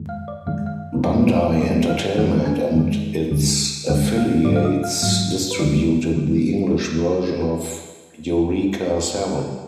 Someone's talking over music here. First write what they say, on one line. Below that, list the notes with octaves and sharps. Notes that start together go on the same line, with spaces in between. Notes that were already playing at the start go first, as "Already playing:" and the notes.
Bandai Entertainment and its affiliates distributed the English version of "Eureka Seven".
Already playing: F#2 D#3 G#3
F5
D5
F#2 D#3 G#3 F5
F5
F2 F3 G#3 D5
B4
D5
F2 F3 G#3 D#5
F5
F2 D#3 G#3 F#5
G#5
F2 D#3 G#3
D2 D3 G#3
D2 D3 G#3 F#5
F5
G#2 F#3 D5
F5
D#5
F5
G#2 F#3 F5
B4
D2 D3 F3 G#3 D5
D3 F3 G#3